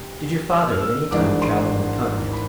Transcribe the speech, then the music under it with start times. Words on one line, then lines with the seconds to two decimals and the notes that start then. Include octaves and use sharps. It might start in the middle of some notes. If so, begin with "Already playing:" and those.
"Did your father, at any time, travel on the continent?"
Already playing: D2 C3
0.50 E6
0.72 F6
0.81 E6
1.11 G#1 G#2 E3 G#3 D4 D6
1.42 C6
2.33 B5